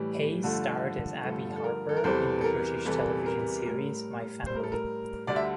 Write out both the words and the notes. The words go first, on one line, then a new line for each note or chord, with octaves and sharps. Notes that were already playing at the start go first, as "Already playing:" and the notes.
Hayes starred as Abi Harper in the British television series "My Family".
Already playing: A2 E3 G3
G2 D3 F3 A3
G2 D3 F3 A3 A4
A4
A#4
A4
A#4
E2 C3 E3 G3 A4 C5
A4
A#4
E2 C3 E3 G3 A4
A#4
A2 G3 A#4
A2 G3 C5
A#4
A4
A#4
D2 D3 G3 D5
E5